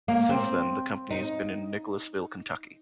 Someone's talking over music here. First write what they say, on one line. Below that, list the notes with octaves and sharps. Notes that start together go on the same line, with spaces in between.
Since then, the company has been in Nicholasville, Kentucky.
A#3
C4
D#4